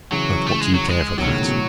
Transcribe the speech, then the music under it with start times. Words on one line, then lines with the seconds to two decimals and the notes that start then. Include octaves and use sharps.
But what do you care for that?
0.12 C#3 E3 F#3
0.47 A3
0.61 G#3
0.74 F#3
0.89 G#3
1.18 B2 D#3 F#3
1.27 A2 C#3
1.38 A2
1.45 B2
1.54 A2